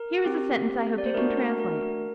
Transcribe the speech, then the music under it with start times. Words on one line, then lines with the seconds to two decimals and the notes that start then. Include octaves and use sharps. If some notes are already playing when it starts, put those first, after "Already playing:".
"Here is a sentence I hope you can translate."
Already playing: A#4
0.24 C4 G4
0.98 D5
1.06 C5
1.14 A3 D4 F#4 A#4
1.37 A#4
1.60 A#4
1.83 A#4